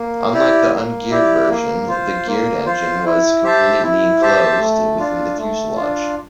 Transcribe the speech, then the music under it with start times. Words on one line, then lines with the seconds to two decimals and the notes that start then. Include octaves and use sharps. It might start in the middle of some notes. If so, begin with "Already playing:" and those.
Unlike the ungeared version, the geared engine was completely enclosed within the fuselage.
Already playing: A#3
0.33 E4 G4 D5
0.72 A#3
1.10 E4 G4 D5
1.49 A#3
1.88 F4 C5
2.27 A#3
2.66 F4 C5
3.05 E4
3.44 G4 C5 E5 A5
3.83 E4
4.21 G4 C5 E5 A5
4.59 A3
4.99 D4 F4
5.38 A3
5.76 D4 F4